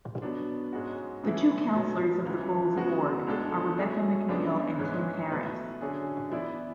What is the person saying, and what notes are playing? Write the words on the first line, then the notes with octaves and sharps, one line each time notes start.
The two councillors of the Bulls ward are Rebecca McNeil and Tim Harris.
B2 F#3 B3 D4
G#2 G#3 C#4 F#4
C#3 E3 A3 E4
B2 F#3 B3
C#2 C#3 E3
C#3 G#3 B3 F#4
C#2 B2 G#3 D4 A4
F#3 A3 C#4 G#4
C#2 C#3 G#3 B3 D4
G#2 E3 G#3 C#4
B2 A3 E4 B4
D3 F#3 C#4 G#4
E3 B3 E4 B4 D5